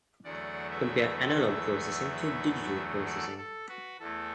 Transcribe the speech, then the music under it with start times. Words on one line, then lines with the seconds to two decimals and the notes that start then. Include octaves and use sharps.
Compare analogue processing to digital processing.
0.24 E2 D3 F#3 A3 D5 F#5
0.71 B4 E5
3.06 A4 D5
3.38 A4
3.68 F#4 B4
4.00 E2 E3 A3 A4